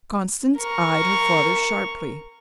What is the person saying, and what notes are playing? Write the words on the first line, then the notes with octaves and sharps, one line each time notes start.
Constance eyed her father sharply.
A#4 C#6